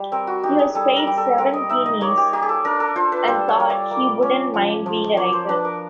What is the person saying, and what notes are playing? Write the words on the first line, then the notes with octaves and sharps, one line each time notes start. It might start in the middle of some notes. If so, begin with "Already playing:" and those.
He was paid seven guineas, and thought he "wouldn't mind being a writer".
Already playing: G3
C4 A#4
F#4
D#4 G4
G#4
G3 A4
A#4
G3
A4
C4 A#4
D#5
D#4 E5
D#5
A#3 C#5
G4
A#3 G4
G#4
A4
D4 A#4
A4
F4 C5
B4
G3 C5
C#5
G3
D5
A#3
C#4
F3
F3
A#3 C#5
C5
D4 B4
A#4